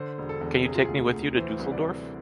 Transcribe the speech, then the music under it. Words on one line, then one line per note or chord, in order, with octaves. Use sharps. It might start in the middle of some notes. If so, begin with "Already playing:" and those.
Can you take me with you to Düsseldorf?
Already playing: D3 C5
E1
A4
E2
C3 G#4
F4
D2 G#4
D2
E3 C5
C2
D5
C2